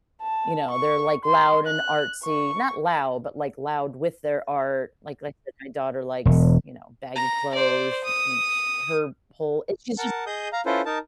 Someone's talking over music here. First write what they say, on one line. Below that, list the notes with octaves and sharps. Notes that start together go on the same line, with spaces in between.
you know, they're, like, loud and artsy. Not loud, but, like, loud with their art. Like like my daughter likes, you know, baggy clothes. Sh and sh her pull it's she's just
A5
C#6
C6
F#6
C#6
E1
A#5
C5 D5
D#6
A#4 F#5 A5
G#4 D#5 D#6 G6
F5 A#5
C#4 E4 F4 A4 B4 C5
D#4 A#4 A5